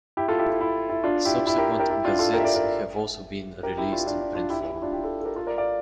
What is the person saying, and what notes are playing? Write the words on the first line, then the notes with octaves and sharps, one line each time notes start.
Subsequent "Gazettes" have also been released in print form.
E4 G4
F4 A4
E4 G4
E4
E4
E4
D4 F4
E4 G4
E4 G4
G4 A#4
G4 A#4
E4 G4
D4 F4
F4 A4
G4 A#4
E5
A#4 D5
A#4 D5
G4 A#4
E4 G4
D4 F4
G4
D4 F4
D4
D4 F4
E4 G4
E4 G4
E4
D4 F4
E4 G4
F4 A4
A4
G4 A#4
F4 A4
A#4 D5
D5 F5